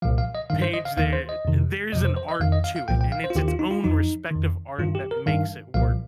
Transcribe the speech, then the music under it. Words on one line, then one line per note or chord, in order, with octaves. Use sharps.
page there. There's an art to it, and it's its own respective art that makes it work.
C2 A#2 F3 F5
F5
D#5
G2 D#3 F5
C5
D#5
F5
D#2 D#3 F5
C5
D#5
F2 C3 D#3
F2 C3 F3 D#5
C5
C5
D#5
F2 D#3 F5
D#5
F5
F5
C2 A#2 F3 G5
G5
F5
C5
F4
D#2 D#3 G4
F4
D#4
F4
F2 F3 D#4
F2 D#3
G2 D#3 F4
G4
A#4
G2 D#3 F5
C2 A#2 F3 F5